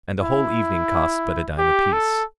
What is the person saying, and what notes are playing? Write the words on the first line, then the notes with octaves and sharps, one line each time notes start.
And a whole evening costs but a dime apiece.
E4
G4
A4